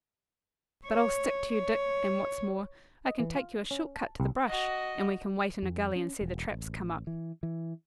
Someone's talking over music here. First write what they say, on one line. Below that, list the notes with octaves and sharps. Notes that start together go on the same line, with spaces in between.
But I'll stick to you, Dick, and, what's more, I can take you a short cut to the brush, and we can wait in a gully and see the traps come up.
C#5
C#5
D#5
E3
F4
C#4
A5
C2
F#4 D#5
F2
C#4
E1
A1
E3
E3